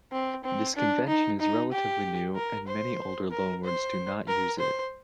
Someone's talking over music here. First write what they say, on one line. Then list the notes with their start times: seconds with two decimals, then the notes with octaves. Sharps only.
This convention is relatively new, and many older loanwords do not use it.
0.12 C4
0.44 C4
0.76 D4
1.08 D#4
1.40 D#4
1.72 G4
2.35 A#4
2.68 C5
3.31 A#4
3.64 C5
4.27 A#4
4.59 C5